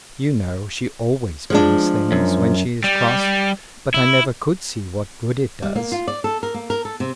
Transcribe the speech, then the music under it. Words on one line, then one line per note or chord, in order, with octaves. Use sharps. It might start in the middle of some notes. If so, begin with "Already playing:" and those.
You know she always bangs things when she is cross, but I never could see what good it does.
F3 G#3 D4
F#2
G3
E4
G3
A#3
F4
D5
A4
A#4
A#3
A#4
A4
C3